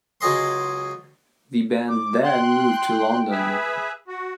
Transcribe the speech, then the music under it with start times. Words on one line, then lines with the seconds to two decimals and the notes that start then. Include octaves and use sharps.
The band then moved to London.
0.21 C#2 F#3 G#4 D#5 C6
1.89 D6
2.23 G5 C6 F#6
3.31 G#4 B4 E5
4.08 F#4